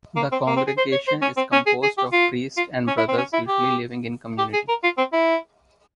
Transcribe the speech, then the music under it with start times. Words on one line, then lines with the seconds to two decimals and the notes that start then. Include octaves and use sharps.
The congregation is composed of priests and brothers usually living in community.
0.16 A#3
0.32 C4
0.47 A#3
0.56 C4
0.67 G#4
0.77 C5
0.92 C#5
1.07 C5
1.22 C#4
1.37 C4
1.52 C#4
1.66 G#4
1.83 G#4
1.98 G4
2.12 F4
2.57 F4
2.87 C#4
2.98 E4
3.08 C4
3.17 C#4
3.33 E4
3.48 G4
4.38 G4
4.53 G#4
4.68 A#4
4.83 F4
4.98 C4
5.13 E4